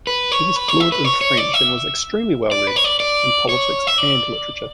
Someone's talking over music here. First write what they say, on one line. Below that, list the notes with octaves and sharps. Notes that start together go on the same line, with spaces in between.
She was fluent in French and was "extremely well read" in politics and literature.
B4
C#5
B4
C#5
E5
B4
C#5
C#5
D5
E5
D5
B4
C#5
D5
D5
C#5
E5
D5